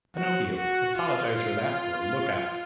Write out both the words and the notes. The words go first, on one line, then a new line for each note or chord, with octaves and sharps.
"Pinocchio, apologize for that, or look out!"
F#4
F#4
F4
F4